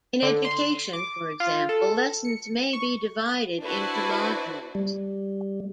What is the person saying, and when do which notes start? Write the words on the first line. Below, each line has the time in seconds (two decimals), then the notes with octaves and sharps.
In education, for example, lessons may be divided into modules.
0.23 D3
0.45 C6
0.93 D6
1.40 F4
1.69 A4
2.25 C#7
2.73 C#6
3.64 D4 E4 F#4 B4 C5 D5
4.75 G3